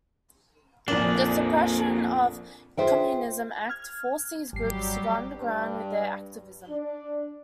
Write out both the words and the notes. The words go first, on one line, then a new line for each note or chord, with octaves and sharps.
The Suppression of Communism Act forced these groups to go underground with their activism.
A#1 F2 A#3 C#4 D4 A#4 F#7
F4 F#4 G#4 C5 E5 G5
F6 G#6
G#1 F#3 G3 G4 C7
G2
D4